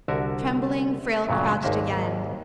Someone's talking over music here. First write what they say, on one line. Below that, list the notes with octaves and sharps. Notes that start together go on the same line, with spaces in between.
Trembling, Frale crouched again.
C2 D3 F#4 A#4 E5
G2 A#2 C#3 F#3
G#1 D#2 A#3 E5